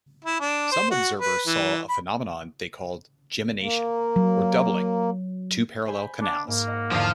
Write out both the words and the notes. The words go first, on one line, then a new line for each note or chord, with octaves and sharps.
Some observers saw a phenomenon they called "gemination", or doubling - two parallel canals.
E4
D4
C5
F#4
B4
E3
B5
A#3
F#3
C5 G#5 B5
D4
G#2 A#3
D#5 F#5
E2 G#2 D3 F3 F4